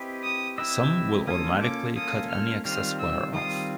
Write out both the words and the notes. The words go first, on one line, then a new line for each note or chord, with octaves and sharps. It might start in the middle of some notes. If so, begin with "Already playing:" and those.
Some will automatically cut any excess wire off.
Already playing: C4 E4 G4 B4 D#5
D#6
C4 E4 G4 B4 D#5 E6
A#3 C#4 F4 A4 D#6
D6
A#3 C#4 F4 A4 D#6
F6
D#3 G3 C4 F4 F6
E6
D#3 G3 C4 F4 D#6